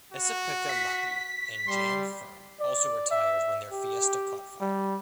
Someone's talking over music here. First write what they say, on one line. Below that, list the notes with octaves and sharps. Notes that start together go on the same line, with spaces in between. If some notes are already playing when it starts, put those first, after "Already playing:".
Esapekka Lappi and Janne Ferm also retired when their Fiesta caught fire.
F#4
B6
G3 C6
D5
E5
G4
G3